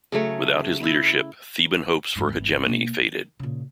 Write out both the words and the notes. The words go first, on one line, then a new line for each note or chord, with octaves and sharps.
Without his leadership, Theban hopes for hegemony faded.
C#3 F#3 A3 C#5
E4
F2 G#2
G#1 E2
B2 A#3
D#3
A#2 C#3